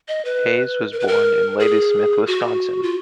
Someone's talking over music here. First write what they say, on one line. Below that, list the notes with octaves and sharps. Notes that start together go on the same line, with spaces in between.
Hayes was born in Ladysmith, Wisconsin.
D#5
B4
A#4
B4
A#4
G#4
F#4
F4